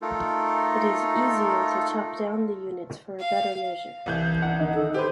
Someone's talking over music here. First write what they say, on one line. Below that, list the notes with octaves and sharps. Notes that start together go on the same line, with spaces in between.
It is easier to chop down the units for a better measure.
A3 D#4 F4 A4 A#4
F5
C2 E3 G6
F#5
D#3 D#4
A4
G4 B4 C5